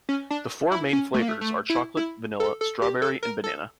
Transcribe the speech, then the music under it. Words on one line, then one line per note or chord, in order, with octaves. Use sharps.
The four main flavors are chocolate, vanilla, strawberry, and banana.
C#4
D4
E4
C#4
A3
A#3
A3
A3
E4
E4
A4
A4
G4
A4
A#4
A4